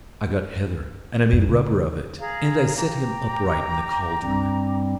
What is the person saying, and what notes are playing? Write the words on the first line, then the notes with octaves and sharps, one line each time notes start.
I got heather and I made a rubber of it, and I set him upright in the caldron.
F#2
C#3
G#4 F5 A#5
G5 A#5 D6
G2 G3 C4